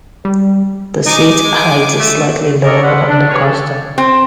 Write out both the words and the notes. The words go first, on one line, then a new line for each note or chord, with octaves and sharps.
The seat height is slightly lower on the Custom.
G3
D#4 G#5 D6
G#3
A3
D4 G4 A4 A#4 C#5 D#5
G#3 C#4 A4 B4 C5 F#5
D4
G4 A#4 B4 C#5
G4 A4
C4